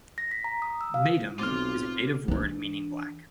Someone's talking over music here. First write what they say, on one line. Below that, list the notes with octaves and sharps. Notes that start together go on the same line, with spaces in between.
"Maitum" is a native word meaning black.
A#6
B6
A#5
D#6
E6
F5
B1 C4 F4 C6 D6 F6
E3 D4